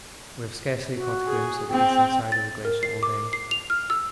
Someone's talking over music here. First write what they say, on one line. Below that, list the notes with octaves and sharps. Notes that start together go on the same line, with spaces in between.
We have scarcely caught a gimpse of the eastern side of the glacier all day.
F#4
G#4
C4 G5
A6
A#4
C7
D6
C7
F7
F6
E6